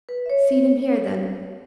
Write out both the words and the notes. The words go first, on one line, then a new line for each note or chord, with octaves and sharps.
'Feed him here, then.
B4
E5
C#5